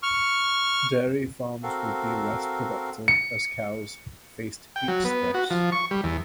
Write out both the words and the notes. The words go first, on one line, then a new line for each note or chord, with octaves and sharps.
Dairy farms would be less productive as cows faced heat stress.
C#6 F6
C4 F#4 A4 A#4 F5
C#7
G5
F#3
B3
F#4
F3
C#6
G3
E2